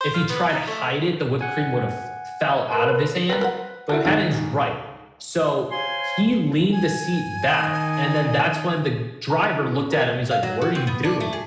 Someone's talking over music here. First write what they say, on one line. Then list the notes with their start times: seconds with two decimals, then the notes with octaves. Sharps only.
if he tried to hide it, the whipped cream would have f fell out of his hand, but he had in his right. So, he leaned the seat back, and then that's when the driver looked at him, he's like, "What are you doing?"
0.01 C5
0.14 F4
0.29 B3
0.49 D#4
0.67 A3
1.41 F#5 G#5
2.71 A#4 B4 C6
3.29 A#3 C4 B4
3.41 A#4 C5 F#5
3.89 E4 F#4 A4 A#4
4.05 C#2 G#2 D#3 F5
5.70 C5 C#5 F5 G#5 C6
6.72 G#5
7.44 D#3 D#5
9.30 A#5
9.43 F#5
9.55 E4
9.75 C#4
9.91 A#4
10.31 F5
10.43 F#3
10.61 F#4
10.75 C4
10.87 B3
11.04 D4
11.20 A3
11.33 G#4